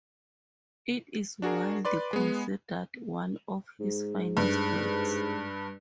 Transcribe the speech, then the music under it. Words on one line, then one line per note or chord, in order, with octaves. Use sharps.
It is widely considered one of his finest works.
D4 F#4 G#4 A#4
B4 D5 C6
G#3 B3
G#2
G2